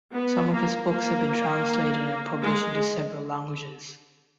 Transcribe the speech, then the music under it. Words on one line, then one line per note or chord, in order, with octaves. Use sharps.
Some of his books have been translated and published into several languages.
B3
A#3
A#3
G#3